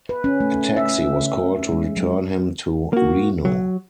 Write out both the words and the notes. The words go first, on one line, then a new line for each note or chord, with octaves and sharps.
A taxi was called to return him to Reno.
B4
C#4
A3
E5
G#3
F#3
A#3 F#4
F#3